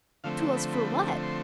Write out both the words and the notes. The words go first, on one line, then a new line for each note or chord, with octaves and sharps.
"Tools for what?"
D3 F3 A3 C4 F5
B5
B5
C6